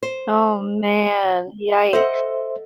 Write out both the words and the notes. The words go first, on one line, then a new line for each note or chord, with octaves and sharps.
Oh man. Yikes.
C5
A4 C5 D#5 E5 F#5